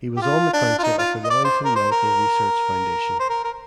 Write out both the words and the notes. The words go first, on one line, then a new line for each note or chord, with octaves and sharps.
He was on the council of the Wellington Medical Research Foundation.
G4
F4
D4
F4
D#4
F4
D#5
D5
C5
A#4
C5
A#4
C5
A#4
A#4